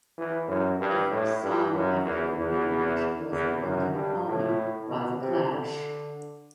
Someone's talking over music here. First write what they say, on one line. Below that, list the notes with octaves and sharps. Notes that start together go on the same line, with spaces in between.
The first song after the relaunch was "London Calling" by The Clash.
E3
F#2
G2
A2
G2
F#2
E2
E2
E2
F#2
G2
A2
B2
C3
D3